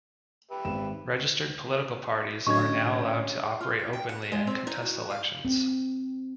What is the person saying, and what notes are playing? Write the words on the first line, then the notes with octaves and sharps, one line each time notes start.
Registered political parties are now allowed to operate openly and contest elections.
G4 B4 E5
G#1 E7
A2 D3 F#3 G#3 C#4 C#6 G#6
F4
G4
G5
F#5
G#3
C4
D#4
F#4
F5
C4